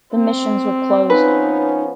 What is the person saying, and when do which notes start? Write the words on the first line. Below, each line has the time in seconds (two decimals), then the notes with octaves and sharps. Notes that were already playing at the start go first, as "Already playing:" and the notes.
The missions were closed.
0.14 C4
1.10 F3 B3 C#4 D#4 B4